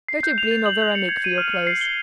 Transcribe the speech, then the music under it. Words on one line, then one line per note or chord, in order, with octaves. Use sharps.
Go to Blin or Veronique for your clothes.
C7
G6
F7
A6
F#7
F#7
C#7
G#6
D#7
F6
D#7
C7
G7